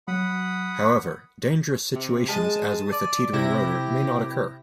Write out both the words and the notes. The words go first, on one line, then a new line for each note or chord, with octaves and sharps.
However, dangerous situations, as with a teetering rotor, may not occur.
F#3 F#5 B5 D#6
C3
G#3 A5 D#7
D5
C3 E4 G4 A#6